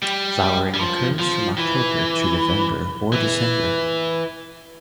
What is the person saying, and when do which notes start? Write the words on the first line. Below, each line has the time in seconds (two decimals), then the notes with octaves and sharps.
Flowering occurs from October to November or December.
0.03 G3
0.74 G3
0.79 F3
1.19 F3
1.58 E3
3.13 E3